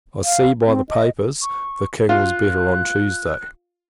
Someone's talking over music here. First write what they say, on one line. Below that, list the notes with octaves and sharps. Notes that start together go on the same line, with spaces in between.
I see, by the papers, the King was better on Tuesday.
F5
C4
D#5
C#6
F4 F#6